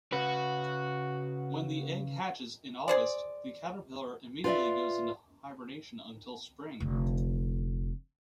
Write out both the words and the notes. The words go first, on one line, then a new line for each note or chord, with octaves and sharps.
When the egg hatches in August, the caterpillar immediately goes into hibernation until spring.
C#3 F#4 B4
G#4 C5 D5
F4 B4 C#5 D5 E5
F1 D3